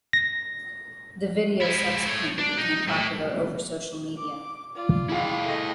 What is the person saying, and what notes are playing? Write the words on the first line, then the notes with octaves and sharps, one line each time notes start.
The video subsequently became popular over social media.
A#6
G#3 E4
A3 C#5
D4
D#4
A2
D6
F4 D5
E4 G#4 F5
A3 D#5